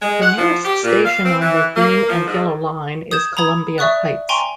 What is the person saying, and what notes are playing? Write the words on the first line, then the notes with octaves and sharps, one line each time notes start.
The nearest station on the Green and Yellow Line is Columbia Heights.
G#3
F#5
F3
G4
A#2
F5
C4
E3
A#3
F3
G#2
D#6 G6 G#6 E7
A#5 B5 D#6 G#6
D5 E5 C#6 D#6 F#6
G5 G#5 A#5 C6 C#6